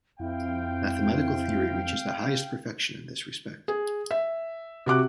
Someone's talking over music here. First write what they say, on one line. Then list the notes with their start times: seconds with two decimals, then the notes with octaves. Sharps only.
Mathematical theory reaches the highest perfection in this respect.
0.20 F2 C4 E4 F5 G5
3.68 G#4
4.11 E5
4.86 C3 F#4 D6 F#6